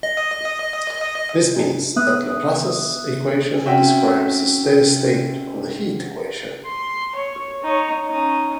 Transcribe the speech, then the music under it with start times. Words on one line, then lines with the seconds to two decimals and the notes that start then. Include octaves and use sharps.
This means that Laplace's equation describes a steady state of the heat equation.
0.03 D#5
1.96 B3 E5 D#6 F#6
3.65 C4 C#4 F#4 E5 G5
6.65 C6
7.15 C#5
7.63 D#4 C#5
8.07 C#4 D#4